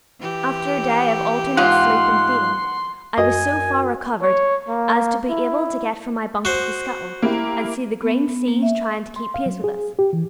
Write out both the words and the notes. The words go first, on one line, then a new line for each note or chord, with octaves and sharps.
After a day of alternate sleep and feeding I was so far recovered as to be able to get from my bunk to the scuttle, and see the green seas trying to keep pace with us.
E3 G4
G#2 F4 F#5 C6
F#2 F#4 A#4 D#5 G#5
C#5
A#3
E4
F#4 C5
A#3 E4 G4
B3
A#3
E5
C6
F5
F#3
G#4
G4
E3